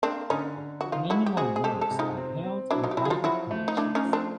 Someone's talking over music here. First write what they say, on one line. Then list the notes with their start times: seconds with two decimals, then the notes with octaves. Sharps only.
Many more works are held in private collections.
0.03 A#3 C4 D4
0.30 D3 C#4 D#4
0.57 D3
0.81 F3 F#4
0.92 D#4 F4
1.10 G#3 E4 F#4
1.26 G4
1.37 C4 F#4 G#4
1.56 G#4
1.64 G#3 G4 A4
1.81 G4 A4
1.91 C3
1.99 D#4 F4
2.17 C4
2.44 C4
2.71 F#3 D4 E4
2.83 D#4 F4
2.91 G4
2.97 F#3 E4 F#4
3.05 G#4
3.10 F4 G4
3.24 F3 E4 F#4
3.51 A3
3.68 D#4
3.77 A3 D4 E4
3.95 C#4 D#4
4.04 F3
4.13 C4 D4